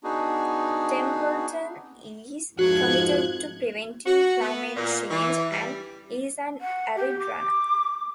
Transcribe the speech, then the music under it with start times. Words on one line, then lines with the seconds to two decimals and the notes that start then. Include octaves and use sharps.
Templeton is committed to preventing climate change, and is an avid runner.
0.04 B3 D4 D#4 F#4 G#4
2.59 F2 G#2 F3 F#4 F#6 G#6
4.06 F#4
4.41 B3
4.76 A#2
5.10 E3
5.52 G3
6.60 F#5
6.95 G4
7.19 D6